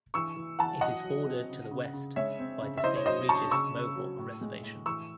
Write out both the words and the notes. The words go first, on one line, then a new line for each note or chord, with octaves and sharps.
It is bordered to the west by the Saint Regis Mohawk Reservation.
E3 C#6 E6
E3
E3 F#5 A5
F#3 D#5 F#5
F#3
C4
C#3
C#3
C#3
G#3 C#5 E5
C4
C#3
E5
E4 C5 D#5
C#5
F#3 C5 D#5
C#4 A5 C#6
C#3 C#6 E6
C#3
F#3
A2
G#3
A2
E3 C#6 E6